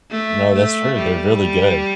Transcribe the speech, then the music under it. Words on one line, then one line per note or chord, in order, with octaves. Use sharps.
No, that's true, they're really good.
A3
A3
G3